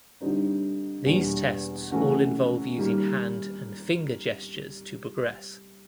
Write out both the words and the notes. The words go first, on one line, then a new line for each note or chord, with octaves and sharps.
These tests all involve using hand and finger gestures to progress.
D3 G3 C4 D#4
E2 B2 G3 A#3 D4
C3 E3 A3 C#4 F#4
D#3 G3 A#3